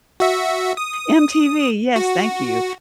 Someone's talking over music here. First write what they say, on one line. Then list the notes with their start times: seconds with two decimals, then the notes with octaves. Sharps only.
MTV, yes, thank you.
0.20 F#4 E5
0.77 D#6
1.96 F#4